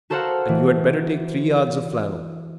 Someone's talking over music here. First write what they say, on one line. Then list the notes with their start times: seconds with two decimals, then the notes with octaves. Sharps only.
And you had better take three yards of flannel.
0.10 F#4 A4 A#4 C5 F5 F#5
0.49 E3